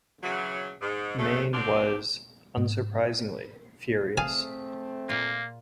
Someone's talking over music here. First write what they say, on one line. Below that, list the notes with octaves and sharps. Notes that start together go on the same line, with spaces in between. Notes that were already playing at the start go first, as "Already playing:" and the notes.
Mayne was, unsurprisingly, furious.
C#3 E3 F#3
G#2
C#3 G#3 A3
B2 C4 D4 G4 C5
G#2
A3 C4 G#4 F5 G#5 A5
A#2 A#3 F4